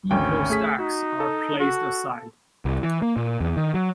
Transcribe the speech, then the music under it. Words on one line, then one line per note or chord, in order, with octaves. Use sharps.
Equal stacks are placed aside.
G#1 D2 C#4 G5
A3 G#4 B6
D#4 F#4
A4
F#4
C2
E3
A#3
A#2
E2
D#3
F#3